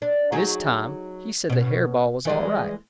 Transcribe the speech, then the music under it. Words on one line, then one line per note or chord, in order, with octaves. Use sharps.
This time he said the hair-ball was all right.
D4
F#3 D#4 G#4
B2 C#4
E3 G3 G#3